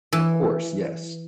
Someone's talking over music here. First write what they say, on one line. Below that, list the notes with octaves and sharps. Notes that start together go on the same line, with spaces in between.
Of course, yes.
E3